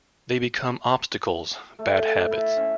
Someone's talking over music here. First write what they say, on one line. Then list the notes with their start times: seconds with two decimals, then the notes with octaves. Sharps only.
They become obstacles, bad habits.
1.79 A3
2.15 A5
2.31 E4
2.57 C#4